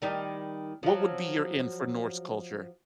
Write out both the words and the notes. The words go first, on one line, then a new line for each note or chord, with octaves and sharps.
what would be your in for Norse culture?
D#3 G3 D#4
F3 F#3